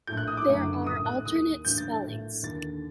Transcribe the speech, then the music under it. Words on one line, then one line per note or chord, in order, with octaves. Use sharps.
There are alternate spellings.
A#1 A2 G6
F#6
D#6
D6
F#1 F#2 D3
A#1 A2 D#6
F#6
D#2 D#3 D#6
A1 G2 D3 G6
A6
G6
A#1 A2
D#2 D3 A6